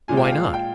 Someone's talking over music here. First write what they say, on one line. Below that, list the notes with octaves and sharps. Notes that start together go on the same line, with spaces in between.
"Why not?"
A#2 G#3 G#5
G5
F5
G5
G5